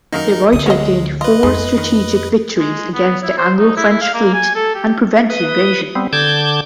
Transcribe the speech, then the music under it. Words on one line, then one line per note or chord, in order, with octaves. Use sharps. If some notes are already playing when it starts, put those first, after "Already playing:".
De Ruyter gained four strategic victories against the Anglo-French fleet and prevented invasion.
F#2 D#3 A#3 D#4 A#4
D2 D#6
G#3 C#4 F#4 B4 D#5 F5
F4 B4 D#5
F2 G#2 G#3
D#3
G#3
B3
E4
C5
D#4
E4
E4
F5
A#3
G#5
A4
G4
B4 D#6
G3 B3 C4
D3 A5 D6 G6 G#6